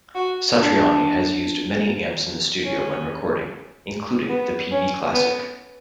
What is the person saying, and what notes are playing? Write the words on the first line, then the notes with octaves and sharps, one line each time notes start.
Satriani has used many amps in the studio when recording, including the Peavey Classic.
F#4
D4
C#4
B3
C#4
B3